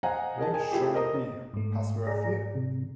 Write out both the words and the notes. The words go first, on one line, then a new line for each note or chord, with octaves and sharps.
Which shall it be, Passworthy?
C5 D#5 F5 F#5 G#5 A#5
G#4 A#4 D#5 A5
G#4 A#4 G#5
A3 E4 F4 G4 G#4
A#4 C5 D#5 A#5 D#6
G#2 A3
G#4 D5 A#5
C3